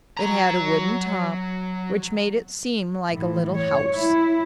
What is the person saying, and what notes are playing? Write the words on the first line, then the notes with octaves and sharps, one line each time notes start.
It had a wooden top, which made it seem like a little house.
F#3 A#5
A2 E3
C#5
E4